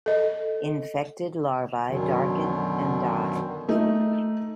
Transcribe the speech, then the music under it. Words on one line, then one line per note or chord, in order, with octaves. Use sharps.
Infected larvae darken and die.
A4 D#5
F#2 B2 D3 D#3 F#3
A3 D#4